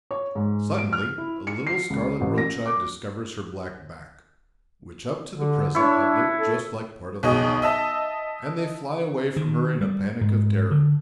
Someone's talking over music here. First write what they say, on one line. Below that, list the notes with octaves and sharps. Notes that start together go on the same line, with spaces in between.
Suddenly a little scarlet roach-eye discovers her black back, which up to the present had looked just like part of the bottom, and they fly away from her in a panic of terror.
C#5
G#2
D7
F6
E4
C#7
C7
C#2
A1
A#6
D6
D3
D4 E4 C#5
A4
B1 B2 G#4 D#5
D#5 E5 A5
D#3
G3
G#2
D3